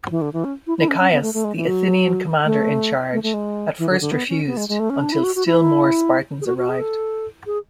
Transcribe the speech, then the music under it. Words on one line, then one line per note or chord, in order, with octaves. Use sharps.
Nicias, the Athenian commander in charge, at first refused, until still more Spartans arrived.
E3
D3
E3
C#4
E4
E4
C#4
C#4
B3
A3
A3
G#3
E3
F#3
A3
A3
A3
G#3
E3
D3
D3
B3
C#4
B3
G#3
G#3
A3
C#4
D4
E4
F#4
F#4
E4
G#4
F#4
F#4
G#4
A4
G#4